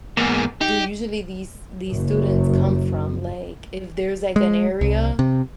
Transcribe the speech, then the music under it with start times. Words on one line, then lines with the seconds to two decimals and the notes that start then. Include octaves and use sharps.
do usually these these students come from?" Like, if there's, like, an area,
0.17 E2 G#2 A#3 B3
0.61 D#4 G4
1.89 F#1 F#2
4.36 G#3
4.81 C2
5.19 C3